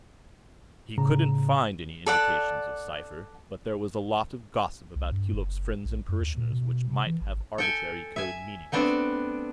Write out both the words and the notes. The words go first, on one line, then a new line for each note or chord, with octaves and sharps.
He couldn't find any indications of cipher, but there was a lot of gossip about Keeluk's friends and parishioners which might have arbitrary code-meanings.
A2 C#3 A#5
A4 D5 F#5
C2
G2
F#1
A#1
F#2
D#2
A#2
B2
C3
E3
G#1
A4 G5 G#5
E5 G#5
A3 B3 C4 D4